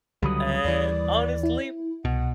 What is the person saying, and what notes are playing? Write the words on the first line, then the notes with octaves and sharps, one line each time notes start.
And honestly,
C#2 D3 F#3 G3 B5 D#6
D#2 E3 D5
E4
C2 B2 F#5